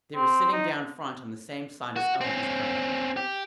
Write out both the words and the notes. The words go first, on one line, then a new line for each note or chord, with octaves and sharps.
They were sitting down front on the same side as Eleanor's crowd.
C4
D#4
F#4
C4 C#4
G4